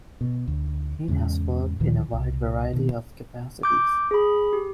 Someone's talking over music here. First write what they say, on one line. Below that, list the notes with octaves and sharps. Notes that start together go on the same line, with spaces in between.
He has worked in a wide variety of capacities.
B2
D2
E2 G#2 C#3
D2 A#2 D#3 F3
C2
B2 D#3
D6 G6
G#4 B5
G4